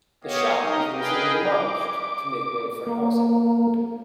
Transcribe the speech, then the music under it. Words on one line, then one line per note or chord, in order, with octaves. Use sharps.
The shop was recently demolished, to make way for housing.
B3 G4 C#5 D#5 F5
D#4 A#4 D#5
G#4 B4 D#5 F5 G5
D6
A#3